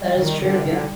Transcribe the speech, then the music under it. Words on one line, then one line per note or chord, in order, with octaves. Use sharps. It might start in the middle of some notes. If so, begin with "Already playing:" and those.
That is true, yeah.
Already playing: G3
D#3
D3
D3